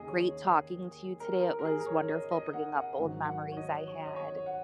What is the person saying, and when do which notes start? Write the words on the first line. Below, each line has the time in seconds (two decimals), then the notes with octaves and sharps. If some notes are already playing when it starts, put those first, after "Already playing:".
great talking to you today, it was wonderful bringing up old memories I had.
Already playing: D#2 C#3 A#3 G#4 D#5
0.08 C#5
1.20 A#4
1.41 A#4
1.59 A#4
1.65 G#4
1.80 A#4
1.86 C#5
2.09 D#5
2.31 D#5
2.53 F#5
2.75 F#5
2.98 G#1 G#2 D#3 F#3
3.27 F#5
3.52 C#5
3.57 D#5
3.88 C#5
4.05 D#5
4.16 C#5
4.46 F#5